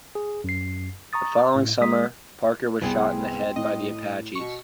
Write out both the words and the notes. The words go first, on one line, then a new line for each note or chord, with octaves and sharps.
The following summer, Parker was shot in the head by the Apaches.
G#4
F#2 C7
A#5 C#6 D#6 A6
A2
G#3 D#6 B6
C2 B3 C4 G#4 B4
A2 D#5
B2 C#6